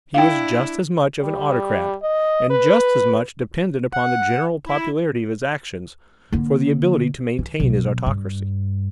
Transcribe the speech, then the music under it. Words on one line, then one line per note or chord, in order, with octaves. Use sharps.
He was just as much of an autocrat, and just as much dependent upon the general popularity of his actions for the ability to maintain his autocracy.
D4 E4 F5 G5
G3
D#5
B4
F#5
E4
D3 A#3
E3
B1
G2